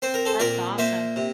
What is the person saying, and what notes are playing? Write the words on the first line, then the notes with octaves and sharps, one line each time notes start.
That's awesome.
C4 C5
A#4
A4 C5
A#2 A#4 D5
A#3 C5 E5
C3